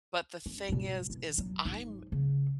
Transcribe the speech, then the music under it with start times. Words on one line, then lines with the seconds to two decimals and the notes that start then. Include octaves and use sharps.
but the thing is, is I'm
0.46 C#4
0.69 G2 B2
1.10 E3
1.38 F#3
1.65 G#2
2.12 C#3